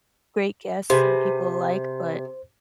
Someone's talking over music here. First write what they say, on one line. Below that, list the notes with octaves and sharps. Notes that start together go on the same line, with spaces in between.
great guests and people alike, but
C3 G4 G#4 B4 C5